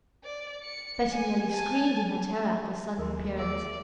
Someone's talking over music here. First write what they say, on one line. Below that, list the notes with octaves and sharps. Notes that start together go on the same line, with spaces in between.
Betty nearly screamed in her terror at this sudden appearance.
D5
C#7
G#5
G#5 A5
D#2 A#4 C6
G#4 D5 E5 E6